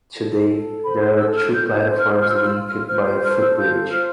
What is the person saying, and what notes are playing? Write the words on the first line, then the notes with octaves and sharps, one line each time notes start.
Today, there are two platforms linked by a footbridge.
A4
A4
C5 B5
C6
A4 E6
F6
A4 G6
G6
C5
F6
F4 F6
E6
F6
E6
F4
F6
C5 F6
G6
A4 F6
E6
F4 G6
C5 F6